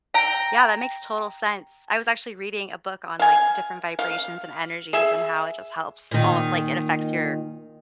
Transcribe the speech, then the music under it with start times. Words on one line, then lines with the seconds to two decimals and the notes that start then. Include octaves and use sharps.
Yeah, that makes total sense, I was actually reading a book on, like, different vibrations and energies and how it just helps all like, it affects your
0.14 G5 A#5
3.19 F5 G#5
3.99 F5
4.93 G#4 E5
6.11 A#2 D#3